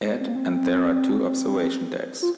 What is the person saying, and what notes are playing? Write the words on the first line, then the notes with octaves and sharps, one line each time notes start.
At and there are two observation decks.
C4
A#3
C4
F4